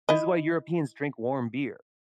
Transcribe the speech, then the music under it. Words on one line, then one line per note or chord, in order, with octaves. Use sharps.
this is why Europeans drink warm beer
E4 D#5